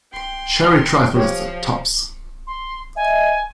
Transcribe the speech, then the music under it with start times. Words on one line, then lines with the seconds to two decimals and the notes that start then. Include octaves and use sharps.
Sherry trifle is the tops!
0.13 G5 C6
1.15 F3 G4 C#5
2.47 C6
2.96 D#5 E5 G#5